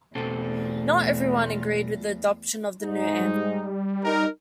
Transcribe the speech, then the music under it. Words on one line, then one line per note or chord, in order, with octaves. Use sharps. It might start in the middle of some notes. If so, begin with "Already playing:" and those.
Not everyone agreed with the adoption of the new anthem.
E2 B2 A3 C4 A4
G#2 D#4
G3
D#4 A#4